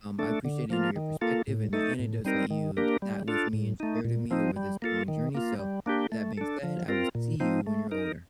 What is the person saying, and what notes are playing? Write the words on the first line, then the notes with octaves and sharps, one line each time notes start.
um, I appreciate, you know, your perspective and the anecdotes that you sat with me and shared with me over this long journey, so with that being said, I will see you when you're older.
A3 D4 A4
D3
F3 A#3 F4
D#3
A#3 F4 A4
A2
A3 D#4 A4
A2
G3 C4 D#4 A#4
D#3
A#3 D4 G4 A#4
G3
D4 F4 A4
A2
A3 D#4
A#2
F3 C4 D#4
G3
A#3 F4 A4
D#3
A#3 F4
G3
A#3 D4 G4
A3
D4 A4
F3
C4 F4 A#4
A#2
F3 C4 D#4
A3
D#4 A#4